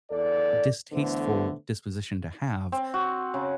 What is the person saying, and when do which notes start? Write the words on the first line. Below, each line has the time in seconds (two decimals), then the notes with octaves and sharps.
distasteful disposition to have.
0.11 E2 A4 D5
0.93 D3 E3 A3 B3 C5
2.72 C4
2.94 F#4
3.34 C#3